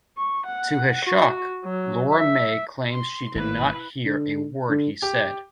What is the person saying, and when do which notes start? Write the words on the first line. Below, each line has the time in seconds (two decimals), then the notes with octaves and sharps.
To his shock, Lora Mae claims she did not hear a word he said.
0.18 C#6
0.46 F#5
1.05 F#4
1.65 F#3
2.13 E5
2.91 C6
3.35 G#1 B2 A#3 E4 B4
4.05 D3
4.69 D3
5.02 G4